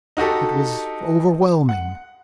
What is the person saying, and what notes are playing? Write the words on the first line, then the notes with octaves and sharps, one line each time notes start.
It was overwhelming.
D#4 F#4 G4 A4
F#5